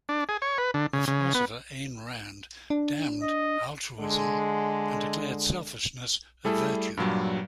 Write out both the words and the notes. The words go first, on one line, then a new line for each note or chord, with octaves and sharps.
The philosopher Ayn Rand damned "altruism" and declared selfishness a virtue.
D4
G#4
C#5
B4
D3
C#3
C#3
B3
D4
D#5
D3 G#3
G3 A3 E4 G#4 A4
G2 A#2 F#3 G3